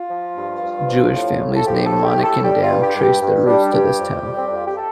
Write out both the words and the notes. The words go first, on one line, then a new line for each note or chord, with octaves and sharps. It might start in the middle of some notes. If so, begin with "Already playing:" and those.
Jewish families named Monnikendam trace their roots to this town.
Already playing: F4
F3
G2
G2
F3
A2
A2
A4
F3 G4
A4
A2
G4
A2
A4
G3 G4
F4
G2
G4
G2
G4
G2
G3 D4
G2 G4
F2
G3
C4
F2 D4
F4
G4
A4